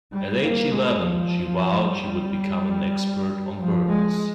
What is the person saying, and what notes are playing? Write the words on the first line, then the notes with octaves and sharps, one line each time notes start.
At age eleven, she vowed she would become an expert on birds.
G3
A#3
G#3
F3
F3
G3
F3
G#3